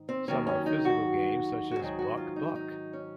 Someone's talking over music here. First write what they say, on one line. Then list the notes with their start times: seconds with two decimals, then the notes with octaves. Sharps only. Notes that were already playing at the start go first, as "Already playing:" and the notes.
Some are physical games such as Buck buck.
Already playing: G#2 D#3
0.09 C4
0.28 D#2 D#3 F#3 C#4
0.47 C#4
0.66 D#4
0.85 F#4
1.71 F#4
1.79 G#2 D#3 F#3 G#4
1.99 F#4
2.17 F4
2.36 D#4
2.55 D#4
2.93 C#4